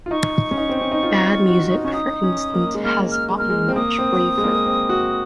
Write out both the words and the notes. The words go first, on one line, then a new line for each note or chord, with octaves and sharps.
Bad music, for instance, has gotten much briefer.
F4
D#4 C#6
C#4
D#4
C4
C#4
D#4
F4
F4
F#4
D#4
C#4 C#6
D#4 D#6
C#4
A#3
G#3
A#3 F6
F6
G#3
A#3 F6
G#3
C4
A#3 D#6
C4
G#3
A#3
C4
F#4